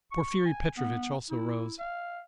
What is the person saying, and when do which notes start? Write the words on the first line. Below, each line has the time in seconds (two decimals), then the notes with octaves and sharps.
Porfiry Petrovitch also rose.
0.12 C#6
0.45 G#5
0.77 B3
1.30 E4
1.79 F5